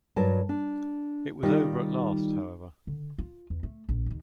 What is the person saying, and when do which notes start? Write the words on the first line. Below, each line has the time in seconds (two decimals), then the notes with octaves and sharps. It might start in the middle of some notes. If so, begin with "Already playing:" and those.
It was over at last, however.
0.16 G2 F#3 A#4 A5
0.49 D4
1.43 D#3 G3 D#4 F4 G4
2.87 D3
3.18 F4
3.50 E2
3.63 A3
3.89 A#1
4.06 D#2 D#3